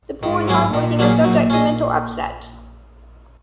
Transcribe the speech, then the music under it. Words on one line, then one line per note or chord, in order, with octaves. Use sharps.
The poor and hard-working are subject to mental upset.
G#2 D#3
F#3 A#3 C#4 G#4
A#2 D#3
F#3 A#3 C#4 G#4
F#3
C#4 G#4 D#5